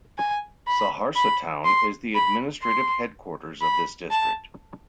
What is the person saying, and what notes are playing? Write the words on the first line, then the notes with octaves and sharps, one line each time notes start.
Saharsa town is the administrative headquarters of this district.
G#5
B5
B5
C6
B5
C6
B5
A5